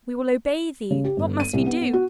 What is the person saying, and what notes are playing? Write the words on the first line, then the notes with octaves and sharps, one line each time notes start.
We will obey thee, what must we do?
C#3
G4
G1
D#7
C2
B3
B3
F#4